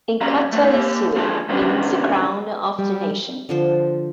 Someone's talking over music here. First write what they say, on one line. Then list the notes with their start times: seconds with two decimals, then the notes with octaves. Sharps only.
"Inkatha YeSizwe" means "the crown of the nation".
0.21 A#2 F#3 G3 C#4 F5 A#5
0.52 A3 B3 D#4
0.73 A#3 G4 F5
1.16 D3 F3 G3 G#3 G#4 A4
1.49 C3 D#3 G3 B3 C#4 D4
2.79 G3
3.49 D3 F3 C5